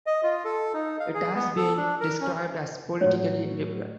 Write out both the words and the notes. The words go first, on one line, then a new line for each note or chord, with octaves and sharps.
It has been described as politically liberal.
D#5
F4
A4
D#4
F5
G#4
B3
A4
D4
A#4
C#4
A2 F#3 C#5